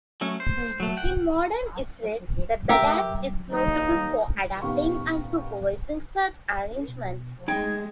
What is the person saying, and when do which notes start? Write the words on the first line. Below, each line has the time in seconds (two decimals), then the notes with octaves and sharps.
In modern Israel, the "badatz" is notable for adapting and supervising such arrangements.
0.21 F#3 A3 C#4
0.40 C5
0.80 F#3 A3
0.97 F#5 G5
2.69 G4 A#4 E5
3.52 D#2 D#4
4.62 D#1 D#3 B3 G4 F5 C#6
6.88 B2
7.48 D1 G#3 D#4 G5 G#6